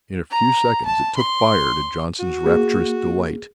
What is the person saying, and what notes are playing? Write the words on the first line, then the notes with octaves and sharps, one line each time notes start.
In a few seconds it took fire, to Johnson's rapturous delight.
A#5
A5
C6
F#4
A#3 G#4